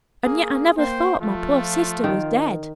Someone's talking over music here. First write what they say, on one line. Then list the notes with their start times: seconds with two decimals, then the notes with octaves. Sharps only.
And yet I never thought my poor sister was dead.
0.25 A#3 G#4
0.77 A#3 C5 G5
1.20 F3 A3 F4
2.04 D#3